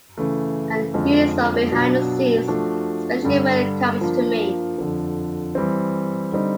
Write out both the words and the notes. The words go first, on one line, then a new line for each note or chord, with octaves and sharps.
And he's so 'behind the scenes,' especially when it comes to me.
C#3 E3 A3
F2 D3 F3 G#3
B2 F#3 B3 D4 F4
F3 A3 D4 F#4
G2 D3 G3
F3 A#3 D4 F4
F2 D3 F3
E3 G3 C4
D3 G3 C4 D#4